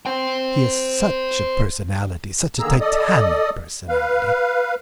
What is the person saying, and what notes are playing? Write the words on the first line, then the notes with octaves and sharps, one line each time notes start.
He is such a personality, such a titanic personality!
C5 G5
D3 D#3 A#3 G#4 A#5 E6
A4 D5 D#5 D#6
B4 F5